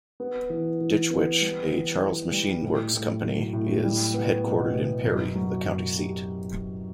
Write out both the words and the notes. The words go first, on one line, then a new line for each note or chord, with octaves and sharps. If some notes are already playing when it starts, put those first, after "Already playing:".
Ditch Witch, a Charles Machine Works company, is headquartered in Perry, the county seat.
B3
E3
E3
B3
G3
E3
E3
G3
A2
A2
F#3
A2
G3
B3
B2
B2
F#2
F#3
F#2
G4